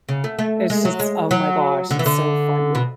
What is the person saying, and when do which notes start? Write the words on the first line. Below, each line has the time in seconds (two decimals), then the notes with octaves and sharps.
it's just oh my gosh, it's so funny.
0.09 C#3
0.24 A3
0.39 A3
0.70 G#3
0.85 F#3
1.00 G#3
1.31 F#3
1.91 D3
1.99 E3
2.06 D3
2.75 B2